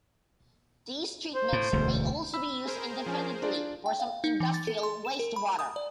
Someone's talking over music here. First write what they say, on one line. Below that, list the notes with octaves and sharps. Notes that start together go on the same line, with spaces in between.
These treatments may also be used independently for some industrial wastewater.
C5
A2
E1 D2
B5 E6
G#4 A#4 C5
F3 C#4 G#5
D4 F4 D5
G5
F5
D#4
E3
A6
A4
C6
E7
A#4
B5
D#6
D5